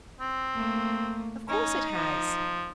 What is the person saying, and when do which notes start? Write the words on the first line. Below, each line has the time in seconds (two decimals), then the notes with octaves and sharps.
"Of course it has."
0.21 C4
0.54 A3 A#3
1.49 C#4 D#4
1.96 F3